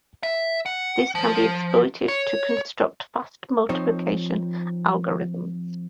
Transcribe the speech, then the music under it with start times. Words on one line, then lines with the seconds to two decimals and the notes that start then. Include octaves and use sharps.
This can be exploited to construct fast multiplication algorithms.
0.23 E5
0.66 F#5
1.15 F3
2.08 C#5
3.69 F3 C4 D#4 C5 C#5